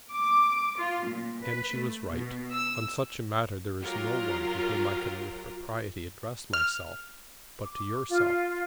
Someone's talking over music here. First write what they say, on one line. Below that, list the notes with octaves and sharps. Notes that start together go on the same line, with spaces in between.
And she was right. On such a matter there is no one to whom I can with propriety address myself, but to yourself.
D6
F4
A#2
B4
A3
B2
E6
F#3 F4 G4 A#4
F6
D6
F4